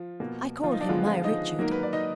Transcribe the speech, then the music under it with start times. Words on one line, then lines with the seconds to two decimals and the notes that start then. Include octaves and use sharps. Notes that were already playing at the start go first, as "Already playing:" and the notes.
I call him my Richard!
Already playing: F3 F4
0.20 B2 A#3
0.63 F3 F4
0.72 D#4
0.81 D4
0.89 D3 F3 G#3 B3 F4
1.06 F3 F4
1.24 D#4 D#5
1.59 G#2 D#3 F#3 A#3 A#4
1.71 B4
1.83 D5
1.93 D#4 D#5